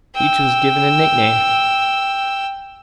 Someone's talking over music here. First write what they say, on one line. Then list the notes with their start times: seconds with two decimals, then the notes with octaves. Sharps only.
Each was given a nickname.
0.16 G5 E6